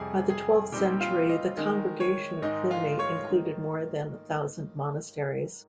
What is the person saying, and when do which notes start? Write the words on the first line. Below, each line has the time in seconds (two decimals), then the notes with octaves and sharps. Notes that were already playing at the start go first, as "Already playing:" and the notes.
By the twelfth century the Congregation of Cluny included more than a thousand monasteries.
Already playing: F2 C3 G3 G#4 G#5
0.29 G#4 G#5
0.72 A#2 G3 C4 D#4 G4 G5
1.01 F4 F5
1.29 D#5
1.57 D#3 G#3 D#4 D#5
2.00 C#5
2.42 G#2 D#3 G#3 D#4 D#5
2.71 F4 F5
2.98 C#5 C#6
3.27 D#3 A#3 D#4